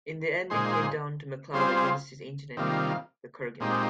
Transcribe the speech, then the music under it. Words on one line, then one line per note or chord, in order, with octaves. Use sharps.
In the end, it came down to MacLeod against his ancient enemy, the Kurgan.
A#2 G#3 D#4 G#4 C5
G3 C4 F4 G#4 C5
C3 D#3 G3 A#3 F4
A#2 G#3 C4 D#4 G4